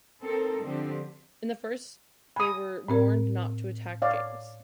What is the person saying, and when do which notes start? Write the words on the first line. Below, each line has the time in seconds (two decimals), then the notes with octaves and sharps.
In the first they were warned not to attack James.
0.22 C4 D#4 A4 A#4
0.63 D3 F3 C4 G4
2.36 G#5 B5 D#6
2.88 A2 C4 A#4
4.02 C#5 D5 F5